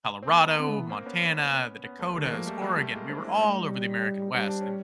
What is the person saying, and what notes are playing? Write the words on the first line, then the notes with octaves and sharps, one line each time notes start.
Colorado, Montana, the Dakotas, Oregon. We were all over the American West, and
C4
A3 B3
C4
G#3
E3
A#3 C4
B3 C#4
B3 C#4
A3 B3
D3 G3 A3
D#3 G#3 A#3
F3
G3 A3
F#3 G#3
G3 A3
G#3 A#3
C4 D4
D4 E4
G#3 C#4 D#4
A3
G3
G3 C4 D4
D4
C#4